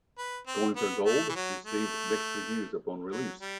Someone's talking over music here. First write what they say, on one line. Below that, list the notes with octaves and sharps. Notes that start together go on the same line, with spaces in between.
"Going For Gold" received mixed reviews upon release.
B4
C4
B3
A3
E3
F#3
A3
F#3
G3